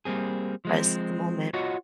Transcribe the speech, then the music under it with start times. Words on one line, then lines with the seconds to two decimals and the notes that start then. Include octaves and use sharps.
as the moment.
0.05 G3 A#3 C4 G#4
0.65 F3 G#3 C4
1.53 F4 F#4 C#5 D#5 F#5